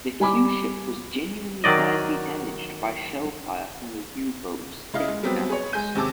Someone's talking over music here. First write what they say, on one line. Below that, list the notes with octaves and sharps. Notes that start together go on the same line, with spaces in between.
The Q-ship was genuinely badly damaged by shellfire from the U-boat's deck guns.
G3 G#5 B5 D6
D#3 F#3 D5 D#5
C#3 E4 D#5 F5
G#3
F#3 G3 B3 C4 G4
G#4 B4 C#5
G#3 G#5 G6 D#7
D#2 C3 G#4 A5 D6 E6